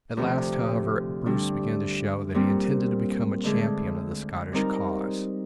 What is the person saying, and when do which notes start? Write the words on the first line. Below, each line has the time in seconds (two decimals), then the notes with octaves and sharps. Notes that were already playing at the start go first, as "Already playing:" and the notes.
At last, however, Bruce began to show that he intended to become a champion of the Scottish cause.
0.17 D2 C3 F3
1.26 G2 D3 G3 D4
2.34 A#2 G3 C4
3.44 D2 D3 G#3 D4 G#4
4.53 G3 C4 D#4 A#4